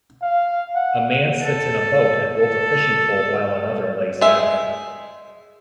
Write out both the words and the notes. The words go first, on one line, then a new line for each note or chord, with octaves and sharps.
A man sits in a boat and holds a fishing pole while another lays down.
F5
F#5
A4
A4
G#3 E5